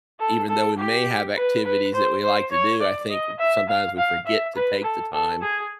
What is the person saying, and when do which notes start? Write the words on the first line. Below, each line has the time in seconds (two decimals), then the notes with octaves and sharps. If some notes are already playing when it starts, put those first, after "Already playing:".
even though we may have activities that we like to do, I think, uh, sometimes we forget to take the time
0.20 A4
0.49 A4
0.78 G4
1.37 B4
1.65 B4
1.94 C5
2.23 C5
2.51 C#5
2.81 D5
3.10 D#5
3.39 E5
3.69 F5
3.97 F5
4.26 E5
4.55 B4
4.83 A4
5.13 A4
5.42 G#4